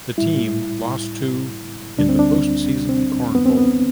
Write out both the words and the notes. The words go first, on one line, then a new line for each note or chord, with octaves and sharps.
The team lost to in the postseason Corn Bowl.
A2 G3 E4
D2 D3 G3 D4
C4
D4
C4
B3
C4
B3